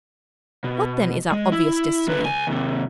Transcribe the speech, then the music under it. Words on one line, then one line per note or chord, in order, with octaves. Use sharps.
What then is our obvious destiny?
B2
G#3
E4
D3 B4
C#2 G#5
D#2 C3